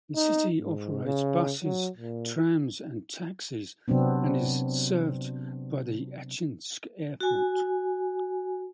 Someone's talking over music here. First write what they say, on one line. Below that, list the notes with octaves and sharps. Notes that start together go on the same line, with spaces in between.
The city operates buses, trams, and taxis, and is served by the Achinsk Airport.
D#4
G#2
C#3
F#3
A#2
C3 F#3 B3 C4 D4
F#4 G#5